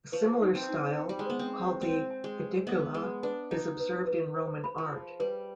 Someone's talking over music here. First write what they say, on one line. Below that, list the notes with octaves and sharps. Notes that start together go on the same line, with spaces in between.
A similar style, called the Aedicula, is observed in Roman art.
F3 B4
D#4
C4
D#4
G5
G3
G#3
B3 C5
C4
C5
C4 D5
G#5
G#3
G4
B3 D#5
G#3 B4
D4 B4
D#4 D#5
B4
B4
C5
B5
F3
G#4
G3 B4